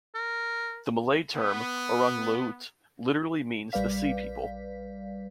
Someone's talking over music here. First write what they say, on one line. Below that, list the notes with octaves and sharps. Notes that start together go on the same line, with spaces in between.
The Malay term "orang laut" literally means the sea peoples.
A#4
B3
A#1 G3 B4 D5 F5 B6